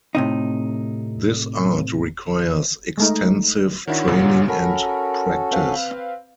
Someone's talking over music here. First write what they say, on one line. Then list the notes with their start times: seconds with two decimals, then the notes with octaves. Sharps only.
This art requires extensive training and practise.
0.15 A2 C3 D#4
2.98 G#3 A3 D#4
3.87 D#3 D4 E4 F#4 C#5
4.08 F#2 A#2 C#3
4.48 C#4 F#4 A4 A#4 B5
5.51 C4 B4 F5